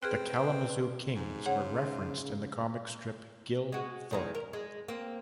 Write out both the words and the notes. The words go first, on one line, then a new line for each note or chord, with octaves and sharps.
The Kalamazoo Kings were referenced in the comic strip "Gil Thorp".
C4 G#4 B4 F6 F#6
G#2
C#3 G#4 C#5 F#5
G#3 F#4
E2 D#3 G#3
A#4
G#3
A#3 C4